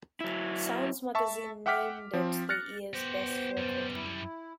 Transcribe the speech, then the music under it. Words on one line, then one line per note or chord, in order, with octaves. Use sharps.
"Sounds" magazine named it the year's best record.
F#3 E4
E5 A5 C#6
E5 F#5 G5 D6 F6 B6
F3 C4
F6 F#6 A6 A#6 C#7
B3 F#4 G4 C5
F#2 G3
E4